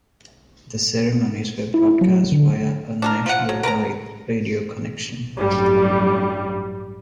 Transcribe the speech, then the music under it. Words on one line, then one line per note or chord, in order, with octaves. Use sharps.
The ceremonies were broadcast via a nationwide radio connection.
E4
F#3
D3
D4 G#4 A#4
F3 F#5
F#3
A#4 B4 A5 A#5
A1 G2 F#3 G3